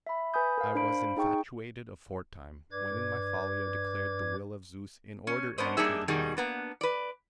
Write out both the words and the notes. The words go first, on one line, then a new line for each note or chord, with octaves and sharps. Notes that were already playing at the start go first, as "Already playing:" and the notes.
I was infatuated aforetime, when in my folly I declared the will of Zeus in order and to the end.
E5 B5
B4 G#5 B5 D#6 G6
A#4 F5
D4 C5 F5 B5 D7
D#4 G#4 G5 C#6
G2 B4 D5 D6 G#6
C#4
B3 C#4 D4 A#4 C5 D#5
G3 A#3 D4 D#4 G#4 E5
B2 D#3 G3 D#4 G#4
A#3 B3 D4
B4 D5